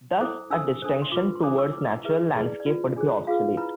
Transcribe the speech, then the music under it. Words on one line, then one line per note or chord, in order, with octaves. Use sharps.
Thus, a distinction towards natural landscape would be obsolete.
E4 A4 C5 D6
D4 A4 C5 E6
D4 A4 C5
C6
F4 B4 D6
C6
D4 A4 C5 D6
E6
E4 B4 D6
E4 G#4 B4 E5
E5
E4 G#4 B4 E5
D5
D5
F4 B4
D4 G#4 C5
F4 G#4 B4 F5
E4 B4 B5